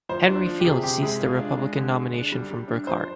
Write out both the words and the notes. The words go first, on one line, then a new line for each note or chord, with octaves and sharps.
Henry Field seized the Republican nomination from Brookhart.
F3 C5
D4
F3
G4
C3 G#4
C3 G4
G#3 G#4
F4
D4
G#3
D3
G#4
D4
G3
G3
D4
F3 C5